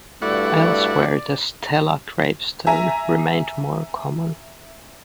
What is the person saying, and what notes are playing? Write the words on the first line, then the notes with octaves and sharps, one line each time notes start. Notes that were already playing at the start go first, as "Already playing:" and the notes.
Elsewhere the stela gravestone remained more common.
G2 A3 E4 F#4 D5 F#5
E5 G#5 A#5